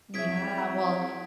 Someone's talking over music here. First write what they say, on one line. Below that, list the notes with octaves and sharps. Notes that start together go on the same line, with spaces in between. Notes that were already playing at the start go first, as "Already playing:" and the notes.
Yeah. Well,
C4 E4 G#4 C#5 E5 G#6 B6 D7